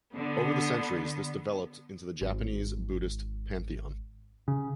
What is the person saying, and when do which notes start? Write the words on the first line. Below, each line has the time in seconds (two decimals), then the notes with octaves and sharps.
Over the centuries this developed into the Japanese Buddhist pantheon.
0.16 D3 B3
2.21 G#1
4.48 C#3